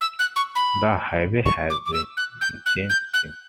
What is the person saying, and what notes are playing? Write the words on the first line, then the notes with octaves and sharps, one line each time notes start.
The highway has been unchanged since.
E6
F#6
C#6
B5
C#6
D6
D6
E6
F#6
G6
F#6
G6
F#6